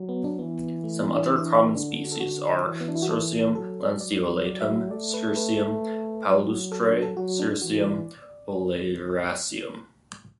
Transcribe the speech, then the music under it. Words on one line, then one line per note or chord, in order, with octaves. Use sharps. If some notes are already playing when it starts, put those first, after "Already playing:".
Some other common species are: "Cirsium lanceolatum, Cirsium palustre, Cirsium oleraceum".
Already playing: F#3
B3
D4
E3 B3
A3
B3
D4
D4
D3 D4
F#4
A4
D3 F#4
E3
B3
D4
E4
F#4
A4
F#3 A4
D5
D5
E5
E5
A3 D5
B4
B4
F#3
A4
D4
A4
F#3 F#4
D4
E3 F#4
D5